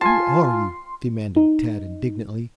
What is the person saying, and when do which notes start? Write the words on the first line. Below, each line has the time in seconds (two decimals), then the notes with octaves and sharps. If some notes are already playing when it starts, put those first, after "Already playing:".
"Who are you?" demanded Tad indignantly.
0.01 F4 G#5 A5 C6
1.36 D#4